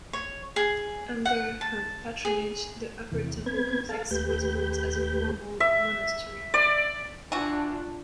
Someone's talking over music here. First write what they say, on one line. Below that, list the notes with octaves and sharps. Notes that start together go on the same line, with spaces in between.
Under her patronage, the upper temple complex was built as a formal monastery.
C#5
G#4
F#5
A5
G#4
E2 C3 E3
B3 C4 B4 G#6
A4 F5 A5
D#2 A3 G4 B4 G6
E5
D5
E3 D4 F4 F#4